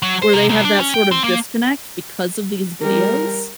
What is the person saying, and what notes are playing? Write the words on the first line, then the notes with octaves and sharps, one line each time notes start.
where they have that sort of disconnect because of these videos
F#3
C5
C3
C2
D4
C#4
G5
C4
A#3
G3 A#4